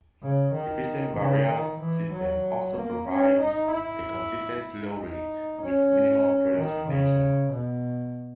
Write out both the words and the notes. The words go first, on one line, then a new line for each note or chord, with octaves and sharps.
The piston barrier system also provides a consistent flow rate with minimal product retention.
C#3
D#3
C#3
D#3
E3
F#3
A#3
C#4
D#4
E4
D#4
C#4
D#3
C#3
B2